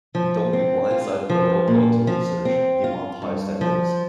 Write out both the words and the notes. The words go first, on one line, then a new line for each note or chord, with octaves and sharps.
Don't be blindsided by low-quality research, demand high standards.
F3
C4
F4
F3
A#2
F3
C4
F4
G2
F3